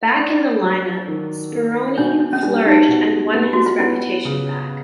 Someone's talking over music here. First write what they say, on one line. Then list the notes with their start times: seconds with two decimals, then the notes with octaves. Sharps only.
Back in the line-up Speroni flourished and won his reputation back.
0.16 C#4 D4
0.63 F#3
1.08 D#3
1.52 A#3
1.98 B2 D4
2.20 D4
2.33 C#4
2.43 G3 D4
2.66 D#4
2.88 B2
3.34 B3
3.53 F#4
3.66 F4
3.79 B3 E4
4.25 C#3